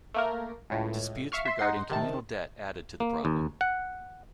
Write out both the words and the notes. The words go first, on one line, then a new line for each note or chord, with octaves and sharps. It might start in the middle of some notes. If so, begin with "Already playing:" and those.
Disputes regarding communal debt added to the problem.
A3 A#3 A#4
C#2 A2
E5 F5 C#6 F6
E5 C6
D#4 F#5 C6
C3 D#3 A5
A#3
D#2
F#5